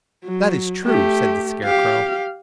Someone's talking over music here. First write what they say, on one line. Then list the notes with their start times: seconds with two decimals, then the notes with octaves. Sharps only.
"That is true," said the Scarecrow.
0.25 F#3
0.85 A3 G4
1.64 G4 F5